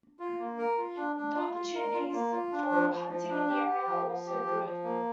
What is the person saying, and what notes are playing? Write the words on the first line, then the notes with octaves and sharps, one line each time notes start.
The opportunities for hunting in the area are also good.
F4
A#3
A#4
F4
D4
D4
F4
F4
A#4
F4
A#3
F4
D4
F3
F3
F3
D4
G4
G4
F3
F3
G4
F3
F3
A#3